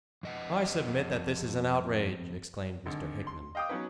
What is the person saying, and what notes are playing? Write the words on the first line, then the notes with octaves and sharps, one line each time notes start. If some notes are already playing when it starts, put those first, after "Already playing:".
"I submit that this is an outrage!" exclaimed Mr. Hickman.
F2 D#5 F#5
G#1 D3
C6
D#5 F5 G5 D6 D#6
F#3 B3 C#4 D#4 B4